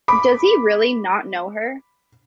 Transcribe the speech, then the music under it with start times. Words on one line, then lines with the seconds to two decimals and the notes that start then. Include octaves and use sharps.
Does he really not know her.
0.08 B5 D6